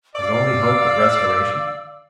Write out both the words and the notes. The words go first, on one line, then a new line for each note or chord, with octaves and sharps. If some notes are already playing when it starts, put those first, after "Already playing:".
His only hope of restoration!
D5 F5 E6